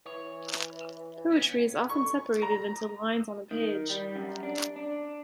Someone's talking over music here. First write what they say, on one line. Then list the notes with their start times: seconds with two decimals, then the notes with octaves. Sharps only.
Poetry is often separated into lines on a page.
0.06 E3 C#5
1.29 B3 C#4
1.89 C#6
2.42 A#5
3.51 D#3
3.89 G3
4.16 F#2
4.43 D4
4.76 D4